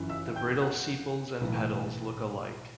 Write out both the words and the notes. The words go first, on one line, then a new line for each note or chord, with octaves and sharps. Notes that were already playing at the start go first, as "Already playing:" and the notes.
The brittle sepals and petals look alike.
Already playing: G1 F#2 E3
E5 E6
G5 G6
F#5 F#6
B1 A2 E3